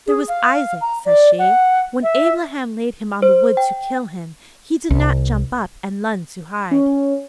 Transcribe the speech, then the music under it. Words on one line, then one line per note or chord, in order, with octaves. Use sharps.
'There was Isaac,' says she: 'when Ablaham laid him on the wood to kill him, he did not jump up and lun to hide.'
G#4
F5
A#5
D5
F#5
E5
C5
G5
C2
C#4